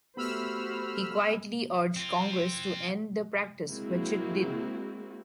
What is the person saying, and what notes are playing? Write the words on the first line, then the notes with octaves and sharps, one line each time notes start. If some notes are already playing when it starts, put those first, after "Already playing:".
He quietly urged Congress to end the practice, which it did.
A3 B3 F#4 G4 C5 B5 E6 F6
C4 F4
G#3 A#3 C4 E4 F#4